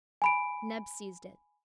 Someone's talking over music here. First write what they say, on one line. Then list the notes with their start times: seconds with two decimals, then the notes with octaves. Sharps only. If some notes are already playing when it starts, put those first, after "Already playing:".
Neb seized it.
0.22 G#5 B5 D7